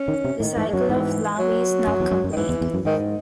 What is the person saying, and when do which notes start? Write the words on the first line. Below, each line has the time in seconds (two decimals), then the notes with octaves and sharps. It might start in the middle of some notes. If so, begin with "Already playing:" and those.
The cycle of love is now complete.
Already playing: C#4
0.08 D#3
0.24 C3
0.40 A2 D#3
0.57 G#2 E3
0.68 G#3
0.73 F#2 F#3
0.89 G#2 E3
1.39 F#3
1.87 F#2
2.00 E2
2.12 F#2
2.24 F#2
2.33 D#3
2.37 G#2 E3
2.49 E2
2.61 E2
2.74 F#2
2.85 G#2 D#3